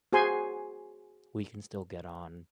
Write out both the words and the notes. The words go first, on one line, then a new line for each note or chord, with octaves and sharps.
we can still get on
F#4 G#4 C5 G#5 C6